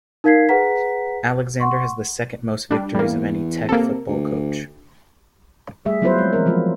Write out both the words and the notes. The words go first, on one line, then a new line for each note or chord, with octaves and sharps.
Alexander has the second most victories of any Tech football coach.
D#4 A#4 F5 G#6 B6 C7
G#4 B4 F#5 A#5 B6
F#5 C6 C#6
G3 D4
E2 G3 A#3
C3 A#3 A4
D2
G3 A3 G#4 E5
F#3 B3 E4 F4 B4 C5
F3 G#3 C4
E3 C4 A#4
F3 F#3 A3 F4